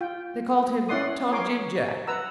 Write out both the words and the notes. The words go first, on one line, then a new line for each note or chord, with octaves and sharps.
They called him Tom-Jim-Jack.
F4 G5
C#4 E4 D5 F#5 C6 D#6
A#4 C#5 G#5 C6 D6
B4 F#5 A#5 E6